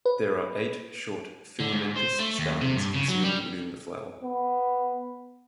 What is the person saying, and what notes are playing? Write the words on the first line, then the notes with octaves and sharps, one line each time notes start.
There are eight short filamentous stamens concealed within the flower.
B4
D3
G#2
C5
A3
D#2
C3
G2
C#3
F#3
G3
B3